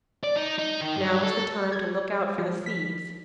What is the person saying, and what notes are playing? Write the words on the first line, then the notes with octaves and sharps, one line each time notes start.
Now is the time to look out for the seeds.
D5
D#4
D#4
D#3
G2
A4
G#6
F3
B6